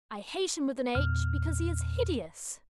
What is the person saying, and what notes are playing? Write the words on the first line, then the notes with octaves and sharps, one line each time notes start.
I hate him with an H, because he is Hideous.
E2 A#2 F6